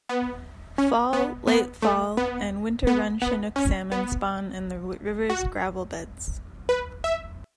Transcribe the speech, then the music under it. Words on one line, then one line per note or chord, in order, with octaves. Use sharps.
Fall-, late-fall-, and winter-run chinook salmon spawn in the river's gravel beds.
B3
C#4
B3
B3
A3
B3
B3
B3
C#4
B3
F#4
B4
E5